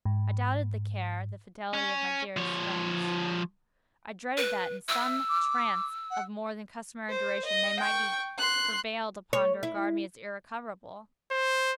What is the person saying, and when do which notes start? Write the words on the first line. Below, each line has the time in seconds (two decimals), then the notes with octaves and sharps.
I doubted the care, the fidelity of my dearest friends. I dreaded that, in some trance of more than customary duration, they might be prevailed upon to regard me as irrecoverable.
0.05 G#2
1.74 C#4
2.37 F3 C#5
4.37 B4
4.88 E5 E6
5.29 D6
6.11 F#5
7.10 C5
7.46 D#5
7.80 G5 C#6
8.38 C6 F#6
9.33 C#5
9.63 E4
11.31 C5